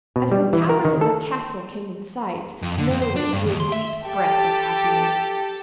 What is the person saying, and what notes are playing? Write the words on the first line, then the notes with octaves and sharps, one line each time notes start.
As the towers of the castle came in sight, Merriwig drew a deep breath of happiness.
B2
G3
E3
A#4
D#3
A4
F2
D3
F2
C5
D4
G2
D#2
C6
E5
G4 A4